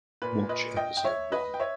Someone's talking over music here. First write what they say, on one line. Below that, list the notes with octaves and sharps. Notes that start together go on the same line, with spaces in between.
Watch episode one.
A#2 B4
B4 D#5
D#5 G5
G5
C#5 E5
B4 D#5
G5
C#5 E5